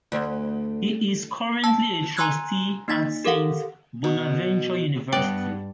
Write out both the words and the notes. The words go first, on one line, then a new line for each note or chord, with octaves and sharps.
He is currently a Trustee at Saint Bonaventure University.
D2
A5 E6
G#5 A#5 C6 E6 F#6 G#6
A#3 D#4 A6 B6
G4 A4 A#4 F5 F#5
B2
G2 B3 D5 F#5 G5 F#6